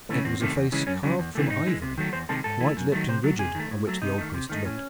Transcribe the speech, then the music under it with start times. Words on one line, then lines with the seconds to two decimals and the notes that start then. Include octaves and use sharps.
It was a face carved from ivory, white-lipped and rigid, on which the old priest looked.
0.09 C#3 E3 A3
0.25 E2 C4
0.41 C3 D#3 A3
0.55 E2
0.72 C#3 E3 G#3
0.87 F#2 C#4
1.03 C#3 F#3
1.19 E2
1.35 C3 E3 A3
1.50 G#2 D#4
1.67 E3 G#3
1.82 C3
1.98 D#3 F#3 A3
2.13 E2 C5
2.29 C3 D#3 G#3 A4
2.44 G#2 A4
2.60 E3 A3
2.77 F#2
2.92 D#3 F#3 A3
3.08 C3 C5
3.24 F#3 A3
3.39 C3 G#4
3.55 D#3 A3
3.71 A2
3.87 F#3 A3
4.02 C3 D#4
4.18 D#3 A3
4.34 C3
4.49 D#3 A3 D#4
4.65 A2 C#4